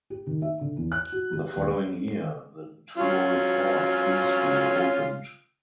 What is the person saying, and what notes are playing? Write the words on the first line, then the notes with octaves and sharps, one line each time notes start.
The following year the Tuol Kork preschool opened.
G4
D#3
E5
D3
E2
F#6
F#4
G4
D#1
F#3 C#4 F4